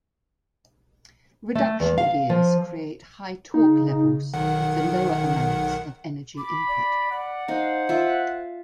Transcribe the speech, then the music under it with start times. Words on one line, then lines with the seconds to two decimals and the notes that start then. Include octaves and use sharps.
Reduction gears create high torque levels with the lower amounts of energy input.
1.55 A3
1.80 E2
1.98 F5
2.30 F3
3.54 C#3 D#4
4.34 B1 D#3 F#5
6.38 B5 D6
6.68 D5
7.12 D5 F#5
7.48 D#4 C5 F5
7.89 F4 E5